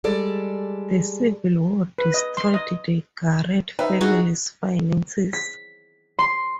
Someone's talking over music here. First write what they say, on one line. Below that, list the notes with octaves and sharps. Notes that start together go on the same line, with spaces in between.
The Civil War destroyed the Garrett family's finances.
G3 G#3 A4 D5
B4
D#5
C6
D#5
D#4 B4 E5
D#4 F#4 G#4
B6
C6